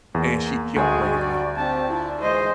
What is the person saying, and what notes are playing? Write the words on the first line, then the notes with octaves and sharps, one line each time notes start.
and she kept bringing it up.
E2 A#3
D2 G3 G#3 F#4 G#4
D5
C4 D4 G4 A5
E4 F4 D5
E3 G#3 C5 D#5